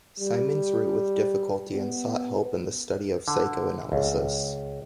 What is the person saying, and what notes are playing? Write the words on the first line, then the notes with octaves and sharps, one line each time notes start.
Symons wrote with difficulty and sought help in the study of psychoanalysis.
G3
B3
D3
C#2